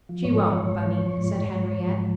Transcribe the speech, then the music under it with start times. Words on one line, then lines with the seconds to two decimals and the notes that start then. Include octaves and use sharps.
"She won't, Bunny," said Henriette.
0.09 F3
0.24 G#2 C#5
0.39 F3
0.55 G#2
0.71 G#2
0.86 F3
1.01 F3
1.17 G#2
1.32 G#2
1.48 G#2
1.64 F3
1.79 G#2
1.95 F3